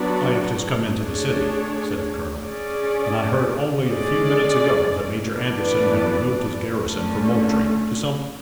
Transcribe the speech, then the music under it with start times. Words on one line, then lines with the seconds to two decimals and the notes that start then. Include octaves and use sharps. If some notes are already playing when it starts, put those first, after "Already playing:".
"I have just come into the city," said the colonel, "and I heard only a few minutes ago that Major Anderson had removed his garrison from Moultrie to Sumter."
Already playing: F#3 B3 D4 F#4
0.95 A3 D4 G#4 C#5
2.41 C#4 G#4 D5
3.85 G#3 C#4 G#4 D5
5.31 E3 B3 D4 A4 D5
6.77 D3 A3 C#4